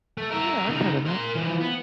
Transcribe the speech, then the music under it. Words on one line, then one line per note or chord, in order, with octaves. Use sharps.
Oh yeah, I've heard of that.
A3
A#4 E5
C#3 D#4
A#4 C6
E3 F3
B3